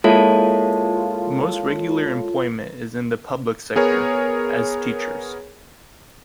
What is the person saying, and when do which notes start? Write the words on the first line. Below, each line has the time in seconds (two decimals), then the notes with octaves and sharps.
Most regular employment is in the public sector, as teachers.
0.04 G#3 A#3 E4 F4 A4 C#5 A5
3.76 B3 G#4 A#4 C#5